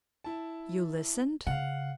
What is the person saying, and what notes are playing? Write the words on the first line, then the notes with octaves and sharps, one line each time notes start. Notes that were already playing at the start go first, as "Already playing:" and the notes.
"You listened?"
E4 A5
C#3 F5 F#5